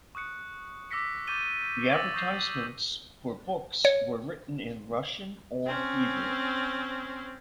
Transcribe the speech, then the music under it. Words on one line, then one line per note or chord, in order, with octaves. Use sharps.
The advertisements for books were written in Russian or Hebrew.
C#6 D#6 F#6 C#7
D6 E6 A#6 B6 C#7
C#6 D6 G6 A6 D#7 G7
D6 E6 A6 A#6 F#7
C#6 D#6 G6 A#6 C7 F7
C#5
C4 C#4